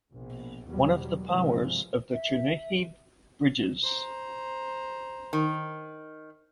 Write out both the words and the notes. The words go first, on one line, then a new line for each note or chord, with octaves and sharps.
One of the powers of the Chernihiv bridges.
A#1 B2
E2 B2 D#3 F#3 G3
G2 C3 E3 F3 G#3
E5
C5 A#5
D#3